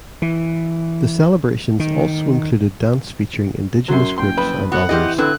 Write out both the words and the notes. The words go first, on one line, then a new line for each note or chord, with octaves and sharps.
The celebrations also included dance featuring indigenous groups and others.
E3
D#3
F#2 F#3 C6
F#1 G5 C6
F2 B4
B3 F#4 F#5
E3 C4 G4 D#5
D3 C4 E4 B4 F#6